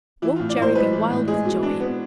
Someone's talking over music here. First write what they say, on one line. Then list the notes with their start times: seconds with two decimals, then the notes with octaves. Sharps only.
Won't Gerry be wild with joy?
0.22 E3 E4
0.36 A2 F4
0.49 D5
0.57 A2 C5
0.75 G#3 B4
0.93 E3
1.10 A2
1.28 G#3 G#4
1.45 B2
1.63 D4
1.80 B3